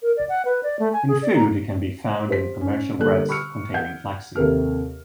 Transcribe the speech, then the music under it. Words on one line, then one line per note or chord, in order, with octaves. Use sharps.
In food, it can be found in commercial breads containing flaxseed.
A#4
D5
F#5
B4
D5
A3
G#5
G#4
D5
A#5
G4 C5 B6
C#4
D3 G3 A#3 A4 F#6
B5 C#6 E6 F6 C#7
F#5 G6 G#6
D#2 C3 A4 A#4 F6